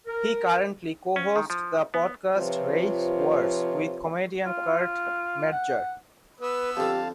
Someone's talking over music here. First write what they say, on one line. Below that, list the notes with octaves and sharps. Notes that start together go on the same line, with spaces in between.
He currently co-hosts the podcast "Race Wars" with comedian Kurt Metzger.
A#4
C#4
D#3
F3
B3
C3 F3 F4 B4 C#5
F4
F#5
B3 B4 E6
F2 D3 G4 F5 A5